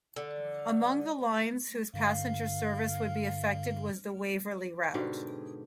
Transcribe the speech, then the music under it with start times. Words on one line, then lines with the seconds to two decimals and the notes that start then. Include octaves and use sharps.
Among the lines whose passenger service would be affected was the Waverley Route.
0.16 D3
1.94 G2 D3 F5
4.94 G#2 B2 D3 G4